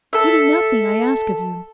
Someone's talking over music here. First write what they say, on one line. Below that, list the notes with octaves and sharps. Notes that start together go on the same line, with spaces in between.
You do nothing I ask of you.
A4 E5